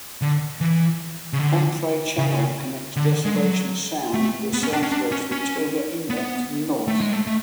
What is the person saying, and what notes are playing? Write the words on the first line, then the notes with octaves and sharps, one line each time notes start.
Homfray Channel connects Desolation Sound to the southwest with Toba Inlet to the north.
D3
E3
C#3
D3
C#3
D3
G#3
F#3
A3
B3
C#4
D4
C#4
D4
C#4
C#4
B3
A3
G#3
A3
A3